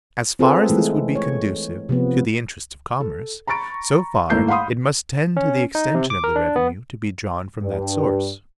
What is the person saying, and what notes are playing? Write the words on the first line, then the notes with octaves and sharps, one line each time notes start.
As far as this would be conducive to the interests of commerce, so far it must tend to the extension of the revenue to be drawn from that source.
C4 F4 G#4 A4 B4
E3 G#3 A3
C#5
C3 F3 B3
A4
A#5 B5 C#6 A6 D7
G#1 A3 A#3 E4 G6 C7
F5 F#5 B5 C6 D#6
C#4
D#4
C3
D6
A#4
D4
B3
G2